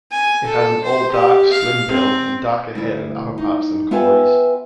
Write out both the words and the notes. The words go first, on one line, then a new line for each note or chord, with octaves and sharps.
It has an all dark, slim bill, and darker head and upperparts than Cory's.
G#5
A4
C5
G4
F5
C4
D2 E4
D#4
B3 F4 B4 E5 G5 G#5